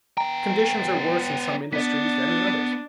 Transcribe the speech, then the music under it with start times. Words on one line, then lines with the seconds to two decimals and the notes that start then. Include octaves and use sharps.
Conditions are worse in some industries than in others.
0.18 B3 G5 A#5
1.73 B3 D4 D5 B6